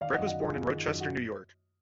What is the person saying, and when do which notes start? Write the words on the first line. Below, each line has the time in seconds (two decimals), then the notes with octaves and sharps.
Breck was born in Rochester, New York.
0.01 D#3 D5 F5
0.14 D#5 F#5
0.18 F#2
0.27 D#5 F#5
0.36 D#3 F4 G#4
0.53 F#2
0.71 D#3
0.88 F#2
1.00 F#4